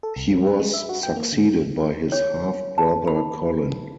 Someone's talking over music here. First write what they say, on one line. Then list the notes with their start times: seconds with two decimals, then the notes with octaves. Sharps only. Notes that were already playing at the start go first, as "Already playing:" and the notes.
He was succeeded by his half-brother Colin.
0.03 A4
0.16 C2
0.31 F#3
0.47 B4
0.60 G#3
0.74 E5
0.89 F#4
1.03 G5
1.16 A#3
1.32 D3
2.12 C#5
2.78 A5
3.07 B5